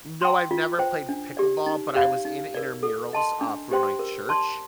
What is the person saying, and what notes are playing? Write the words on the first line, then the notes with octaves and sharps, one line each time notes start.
No, I've never played f pickleball, but I was in intermurals, uh, for my church,
G5 C6
F4
C5 G5
D4
G4 D5
D#4
G4 D5 F5
D#4
A#4 D5
A4
D#5 A5 C6
D4
G4 C5 G5 C6
A#4
D5 A5 C6